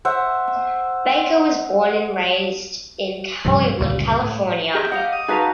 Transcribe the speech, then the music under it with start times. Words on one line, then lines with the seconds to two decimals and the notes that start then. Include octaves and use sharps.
Baker was born and raised in Hollywood, California.
0.05 C5 E5 F#5
3.45 C2 G2 C3 F3
3.78 G1 C#2 A#2 C#3
4.21 A2
4.75 G4 G#4 D#5 E5
4.92 D#5 F5 F#5 D6
5.13 D#6
5.28 D#4 F#4 G#4 B4 F5 A5